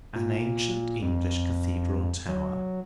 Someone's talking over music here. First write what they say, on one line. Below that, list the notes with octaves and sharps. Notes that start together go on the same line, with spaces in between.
An ancient English Cathedral Tower?
A#2
F2
F#3